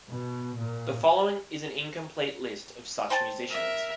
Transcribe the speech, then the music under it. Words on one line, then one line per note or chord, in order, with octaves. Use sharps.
The following is an incomplete list of such musicians.
B2
A#2
C5 G5 A5
A#4 E5